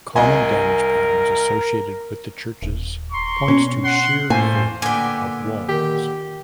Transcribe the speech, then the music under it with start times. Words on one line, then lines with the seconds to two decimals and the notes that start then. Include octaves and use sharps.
Common damage patterns associated with the churches points to shear failing of walls.
0.16 C2 A#4 D#5 G#5
2.62 D#1
3.12 A#5 C6 C#6
3.48 B2 C#4
3.84 F#5 C6
4.30 A2 A3 A#3 C5 G#5
4.82 A#2 D3 B3 G5 G#5
5.69 D#3 G4 A#4